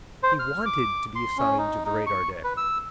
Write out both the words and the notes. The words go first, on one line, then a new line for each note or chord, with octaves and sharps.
He wanted to be assigned to the radar deck.
C5
F6
D6
C6
C#4
D#4
D#4
C#6
B4
E6